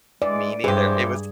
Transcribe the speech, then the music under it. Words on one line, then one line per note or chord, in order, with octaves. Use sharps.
me neither, it was
E3 G#3 D5
G2 E3 G4 G#4 C5